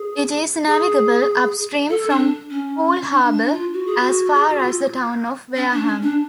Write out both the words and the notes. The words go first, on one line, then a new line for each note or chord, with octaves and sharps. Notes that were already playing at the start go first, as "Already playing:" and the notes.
It is navigable upstream from Poole Harbour as far as the town of Wareham.
Already playing: G#4
G#4
A4
D4
C#4
D4
D4
F4
F#4
G#4
F#4
G#4
F#4
F4
C#4
D4
C#4
D4